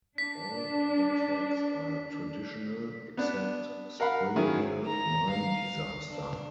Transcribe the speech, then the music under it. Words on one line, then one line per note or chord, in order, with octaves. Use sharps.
All the tracks are traditional except "Springhill Mine Disaster".
D4 B6
B3 D4
A#4 F5 F#5 B5
D#3 F#3 C#4 E4 G#4
A#5
F5
D4